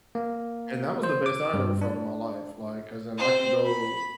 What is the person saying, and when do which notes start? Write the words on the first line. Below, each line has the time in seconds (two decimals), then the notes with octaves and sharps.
and that was the best I had ever felt in my life, like, 'cause then I could go,
0.15 A#3
1.03 C5
1.26 D6
1.54 G2
1.81 D4
3.18 C4 C5
3.66 B5